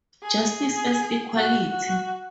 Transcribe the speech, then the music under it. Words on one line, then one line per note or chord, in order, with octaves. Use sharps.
Justice as equality?
G#4
F#4
F#4